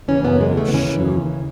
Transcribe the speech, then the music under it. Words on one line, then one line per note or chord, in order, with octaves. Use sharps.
Oh, shoot.
D#2 C#3 E3 C#4
B3
G#3
A3
B3
D#2 C#3 E3 C#4